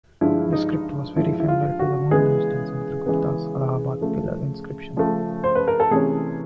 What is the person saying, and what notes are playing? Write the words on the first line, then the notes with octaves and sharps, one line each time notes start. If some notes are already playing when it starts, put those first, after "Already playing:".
The script was very similar to the one used in Samudragupta's Allahabad Pillar inscription.
G2 D3 F3 G#3 E4
D#4
G2 D3 F3 G#3 E4
E4
F4
F#4
C#3 E3 G#3 B3 G#4
C#3 E3 G#3 B3
C#3 F3 A3
C#3 F3 A3
C5
B4
A#4
A4
C3 E3 A3 C#4 G#4